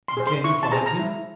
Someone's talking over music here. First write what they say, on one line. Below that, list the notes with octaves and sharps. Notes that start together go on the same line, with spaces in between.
"And can you find him?"
C6
G#4 C5
C6
E4 C#6
A5
G#4 C5 A#5
A#5
E4